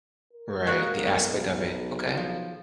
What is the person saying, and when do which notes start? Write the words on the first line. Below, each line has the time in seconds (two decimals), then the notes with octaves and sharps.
Right, the aspect of it. Okay.
0.33 A#4
0.67 G#3 A#3 F#4
0.96 B1
1.79 G#4
2.17 F3